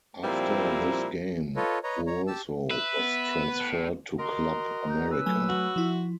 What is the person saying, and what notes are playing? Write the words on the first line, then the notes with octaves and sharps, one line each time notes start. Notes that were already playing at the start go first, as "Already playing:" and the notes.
After this game, Vuoso was transferred to Club America.
A#2 F3 G3 C4 E4 A#5
F4 A4 B4 C#5 D#5
B4 C#5 D#5 A#5
C#5 A#5
G4 A5 E6
B4 E5
B3
A2
F#4 A#4 D#5 A#5 C6
G6
C#4 B4 E6
F#3 A3 G#5
F#4
F3 E4